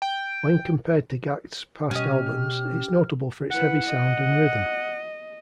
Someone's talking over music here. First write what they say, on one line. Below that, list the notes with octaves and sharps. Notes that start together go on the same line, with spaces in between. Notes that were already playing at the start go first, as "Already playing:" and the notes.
When compared to Gackt's past albums, it's notable for its heavy sound and rhythm.
G5
B2 C#4 G4 D#5 F6
E4 B4 F#5
D#5